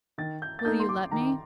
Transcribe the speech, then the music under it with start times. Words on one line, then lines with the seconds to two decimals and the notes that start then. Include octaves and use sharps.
"Will you let me?"
0.18 D#3 A6
0.42 G6
0.59 A6
0.65 A#3 D#4 A4 G6
0.80 C6
0.89 D6
1.11 D#3 A#5